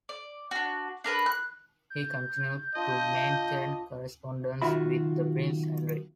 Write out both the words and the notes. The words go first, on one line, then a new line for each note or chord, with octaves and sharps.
He continued to maintain correspondence with the prince Henry.
D5
D4 F#4
D4 A#4 B4
F#6
G6
D4 F4 D#5
B1 D#3 F4 F#4 E5 B5